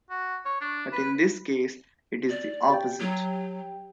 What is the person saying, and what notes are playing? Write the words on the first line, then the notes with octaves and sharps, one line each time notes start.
But in this case it is the opposite.
F#4
C#5
D4
B4
D5
G4 G5
F#3